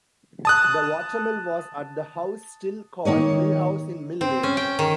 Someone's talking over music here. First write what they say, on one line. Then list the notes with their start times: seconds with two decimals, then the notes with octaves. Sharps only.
The watermill was at the house still called Mill House in Mill Lane.
0.45 A5 D#6 F#6
3.05 D#3 A#3 C#5 D#5
4.21 C4
4.43 C#4
4.57 G5
4.79 D#3